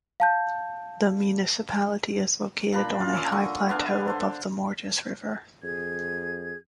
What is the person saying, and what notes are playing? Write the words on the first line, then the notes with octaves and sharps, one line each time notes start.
The municipality is located on a high plateau above the Morges river.
F5 A5 G6
A#2 D4 B5
F4
C#4 E5 D6
D3 D#5 C#6
B3 D4 F5 G#5
A4 C5
F2 G#4 G#6